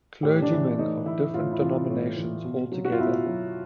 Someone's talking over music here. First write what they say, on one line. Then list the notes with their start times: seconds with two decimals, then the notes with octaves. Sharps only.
Clergymen of different denominations all together?
0.23 A2 G4
0.42 D4
0.52 E3
0.79 A2 D#4
1.06 E3 E4
1.34 A2 F4
1.51 E4
1.61 E3 F4
1.89 A2
2.17 E3
2.45 B2
2.72 F#3
2.85 F#4
2.92 F4
2.99 B2 E4
3.26 F#3